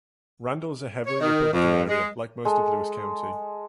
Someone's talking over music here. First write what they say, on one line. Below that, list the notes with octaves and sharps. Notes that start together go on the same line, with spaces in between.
Randle is a heavily Republican area, like most of Lewis County.
C#5
D#3
F2
G#3
G#3 A4